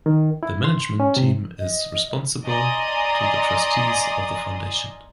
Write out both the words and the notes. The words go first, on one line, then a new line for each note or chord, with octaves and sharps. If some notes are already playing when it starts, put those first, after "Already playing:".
The management team is "responsible to the Trustees of the Foundation".
D#3
E4
C6
C#4
C3
D#5
D5 D#5 G#5 A#5 C6 D#6